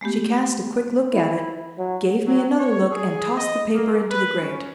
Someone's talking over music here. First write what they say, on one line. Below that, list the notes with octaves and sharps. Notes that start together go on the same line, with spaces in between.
She cast a quick look at it, gave me another look and tossed the paper into the grate.
G#3 A3 B3 G4
E4
F#3
F#3
C#5
G#4
D#5
A#3
B4
C#4